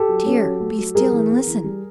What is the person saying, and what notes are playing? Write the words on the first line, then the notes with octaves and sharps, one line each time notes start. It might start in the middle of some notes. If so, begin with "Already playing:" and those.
"Dear, be still, and listen!"
Already playing: G4 A4
F#3
C#4
F#3
A3
F#3
G3 G#4 A#4
E3
B3
E3
G3